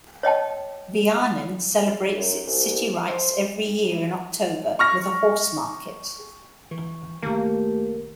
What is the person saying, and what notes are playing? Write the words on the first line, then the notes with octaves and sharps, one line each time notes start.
Vianen celebrates its city rights every year in October with a horse-market.
C#5 D#5 G5 A5
F#2
C2
C5
C#6 F6 A#6
E3 C#6
C2 D#3 A3 A#3 G4